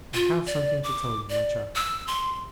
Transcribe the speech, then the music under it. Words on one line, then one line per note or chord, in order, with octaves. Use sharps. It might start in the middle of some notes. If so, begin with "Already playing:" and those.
I have something to tell you, my child.'
F4
D5
D6
D5
E6
C6